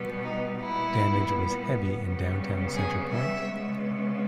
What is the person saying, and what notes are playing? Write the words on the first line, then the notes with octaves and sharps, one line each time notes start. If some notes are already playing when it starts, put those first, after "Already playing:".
Damage was heavy in downtown Center Point.
Already playing: B2 G3 B3
D#4
A#2 G3 B3 E4
C#3 G3 B3
G#4
E5
C#3 G#3 B3